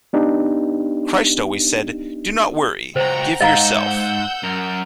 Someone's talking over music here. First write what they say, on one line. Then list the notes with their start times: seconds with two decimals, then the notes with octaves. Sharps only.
Christ always said, 'Do not worry, give yourself'.
0.13 B3 D4 D#4 G4
2.96 C#2 F#4 C5 F#5 G5 A#5
3.41 G#2 D#5 F5 F#5 A#5 E6 G6
4.43 F#2 A#4